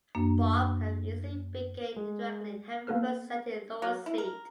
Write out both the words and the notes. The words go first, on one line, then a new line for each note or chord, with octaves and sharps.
Barf can easily be gained indirectly, having first ascended Lord's Seat.
F#2 A#3 D4
G#3
A#3 B3 A4 B4 F6
F#3
E4
A#4